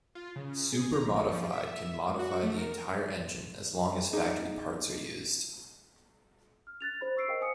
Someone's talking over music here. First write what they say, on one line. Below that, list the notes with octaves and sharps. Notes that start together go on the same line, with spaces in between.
Super Modified can modify the entire engine as long as factory parts are used.
F4
C#3
G#4
A#5
A#1
F3
E5
G#1
F#4
A3
A#4
D#4 G#4 F5
F6
F#6 A6 F7
C5 B5
C#6 E6 C7 D7
A#4 C5 D#5 F5 G5
C5 G#5 D#6 C#7